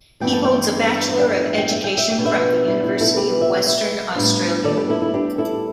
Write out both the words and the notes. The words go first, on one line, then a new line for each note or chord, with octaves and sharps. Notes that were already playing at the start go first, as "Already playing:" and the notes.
He holds a Bachelor of Education from the University of Western Australia.
G2 E3 B3 D4 G5
A5
D5 G5
E5
D5 G5
E5
G5
E5
G5
E5
G5
B2 B3 D4
B4 E5
E4
E4
E4 A4
G4 B4
E5
G5
B4 E5
A2 G3 B3 D4
A4 D5
G4 B4
E4 A4
E4
D4 G4
E4 A4